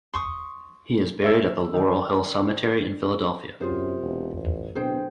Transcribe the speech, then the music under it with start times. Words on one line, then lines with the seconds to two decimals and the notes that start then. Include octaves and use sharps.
He is buried at the Laurel Hill Cemetery in Philadelphia.
0.14 C6 C#6 D#6
1.22 C#5 E5 E6
1.74 D#3 D#4 D5
3.61 F#2 C3 F4 G#4 C5
4.02 E1
4.37 A1
4.75 D1 B2 G#4 C5 G5